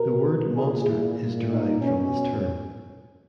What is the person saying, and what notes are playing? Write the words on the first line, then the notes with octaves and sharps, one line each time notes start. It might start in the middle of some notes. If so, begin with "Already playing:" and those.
The word monster is derived from this term.
Already playing: B2 A#4
A#2 G#4
E4
A#2
D#4
B2 C#4